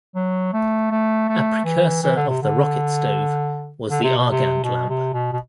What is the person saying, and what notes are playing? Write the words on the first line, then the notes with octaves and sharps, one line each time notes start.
A precursor of the rocket stove was the Argand lamp.
F#3
A3
A3
A3
E3
E3
D3
C3
D3
D3
C3
B2
C3
B2
C3
B2
B2